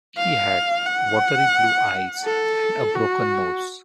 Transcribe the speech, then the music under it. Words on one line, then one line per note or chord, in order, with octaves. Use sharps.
He had watery blue eyes and a broken nose.
F5
F#5
A4
F#4